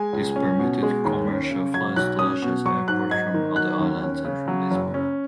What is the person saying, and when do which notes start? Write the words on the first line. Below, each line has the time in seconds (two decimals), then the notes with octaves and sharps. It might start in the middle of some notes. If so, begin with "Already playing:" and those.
This permitted commercial flights to Lajes Airport from other islands and from Lisbon.
Already playing: G#3 G#5
0.13 C#2
0.36 C#4
0.59 B2
0.83 G#3
1.05 D#2
1.27 C#4
1.51 C#3
1.74 F#3 G#6
1.96 B1 F#6
2.19 C#4 D#6
2.42 B2
2.65 F#3 C#6
2.88 G#2 F#6
3.11 D#4 G#6
3.34 D#3
3.56 F#3 F#6
3.79 D#2
4.02 C#4
4.25 C#3
4.48 F#3
4.71 F#1
4.94 C#4